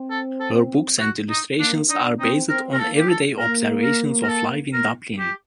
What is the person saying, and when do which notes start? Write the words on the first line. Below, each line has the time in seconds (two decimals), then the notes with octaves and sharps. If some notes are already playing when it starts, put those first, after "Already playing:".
Her books and illustrations are based on everyday observations of life in Dublin.
Already playing: C4
0.10 A4
0.40 A4
1.00 F#4
1.29 D#4
1.59 A#3 D4
1.89 D4 D#4
2.20 C4 D#4
2.49 C4 A#4
2.73 A#4
2.79 A#3 A4
2.98 G4
3.08 A4
3.38 A#3 A#4
3.83 A#4
4.23 A#4
4.28 A4
4.73 A#4
5.18 G4